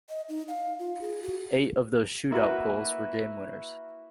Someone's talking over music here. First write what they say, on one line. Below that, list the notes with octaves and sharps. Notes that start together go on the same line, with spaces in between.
Eight of those shootout goals were game-winners.
D#5
D#4
F5
F4
G#4
F#4
A#3 E4 F#4 B4